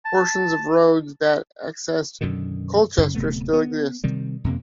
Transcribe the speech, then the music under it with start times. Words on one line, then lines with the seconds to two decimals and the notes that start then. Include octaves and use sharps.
Portions of roads that accessed Colchester still exist.
0.06 A5
2.21 F#2 B2 D3 D#3
2.98 F#2 C#3
3.15 D1 C3 A3 B3
3.53 B3
4.04 C3 D#3 G3
4.44 F2 C3 A#3